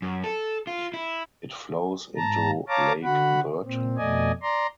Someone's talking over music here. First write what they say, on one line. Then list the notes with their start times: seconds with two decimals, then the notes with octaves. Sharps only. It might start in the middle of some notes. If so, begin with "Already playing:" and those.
It flows into Lake Burton.
0.02 F#2
0.24 A4
0.67 F4
0.94 E4
2.16 G#2 A5 A#5
2.68 C#5 F5 A5 A#5 D6
3.04 D3 F#4 F#5 B5
3.63 A#2 C4
3.98 F2 B2 A3 D5 D#5 G#5
4.42 D5 A#5 C6